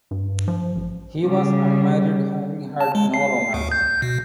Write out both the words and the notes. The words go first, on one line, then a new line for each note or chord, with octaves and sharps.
He was unmarried having had no romance.
G2
F3
A1
C#3 G3
A5
G#3
C7
D2
G6
B2